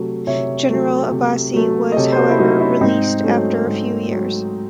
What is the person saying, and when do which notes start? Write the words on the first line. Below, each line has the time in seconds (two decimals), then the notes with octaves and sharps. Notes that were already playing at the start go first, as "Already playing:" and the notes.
General Abbasi was however released after a few years.
Already playing: C3 F#3 A3
0.27 C3 C#5 E5
0.69 F#3 A3
1.11 C3
1.53 F#3 A3
1.92 D#5
1.96 C3 A4 C#5
2.12 C5
2.17 F#4 A4
2.30 E4
2.38 F#3 A3 D#4 F#4
2.60 C#4 E4
2.81 G#2 C4 D#4
3.23 F#3 A3 C#4
3.66 G#2
4.09 F#3 A3